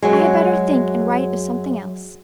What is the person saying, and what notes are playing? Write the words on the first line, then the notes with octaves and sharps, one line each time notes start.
I had better think and write of something else.
F#2 F#3 G#3